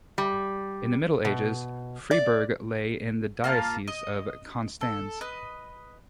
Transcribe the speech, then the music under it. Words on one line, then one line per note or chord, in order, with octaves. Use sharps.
In the Middle Ages, Freiburg lay in the Diocese of Konstanz.
G3
B2
D5
A#3 F4 A5
D#5
A4
B4 D#5